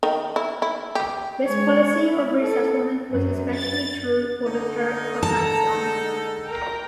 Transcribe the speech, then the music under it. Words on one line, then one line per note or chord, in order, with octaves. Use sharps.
This policy of resettlement was especially true for the Terek Cossacks land.
D#3
E4
E4
G4
G#3 C#5
E4
A4
F#2
A6
D3 A3 D#4
D3 G#3 A4 A5 A#5
D#4
A#4 G5